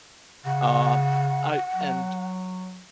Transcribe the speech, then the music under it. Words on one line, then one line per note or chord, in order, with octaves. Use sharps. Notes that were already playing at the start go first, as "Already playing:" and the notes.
Um, I and
C#3 F#5
F#3